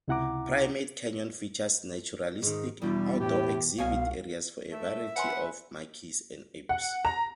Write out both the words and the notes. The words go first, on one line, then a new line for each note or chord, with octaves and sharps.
'Primate Canyon features naturalistic, outdoor exhibit areas for a variety of monkeys and apes.
C#2 C3 E4 F#5 A#5 D6
G#2 D#3 G#4
E2 B2 G3 D4 E4
A2 A3 G4
C2 B2 C#5 F5 G#5
A3 E5
B4 C#5 F#5 G#5 C6
F#5
A#5